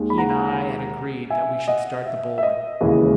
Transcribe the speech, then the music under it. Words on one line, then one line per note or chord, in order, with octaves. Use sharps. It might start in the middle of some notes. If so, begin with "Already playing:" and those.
He and I had agreed that we should start the bowling.
Already playing: D#2 D#3 G#3
B5
F#5 A#5
E5 G#5
D#5 F#5
E5
E5
D#5
E1 D#2 C#3 E3 G#3